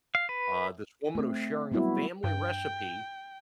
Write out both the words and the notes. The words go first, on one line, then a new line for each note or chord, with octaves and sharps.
Uh, this woman was sharing a family recipe,
F5
B4
A3 C4
F#3 G3 B3 E4 F#4
G2 G5